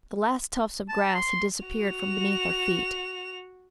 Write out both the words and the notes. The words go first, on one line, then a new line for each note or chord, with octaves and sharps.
The last tufts of grass had disappeared from beneath our feet.
A5
C6
F#4 F7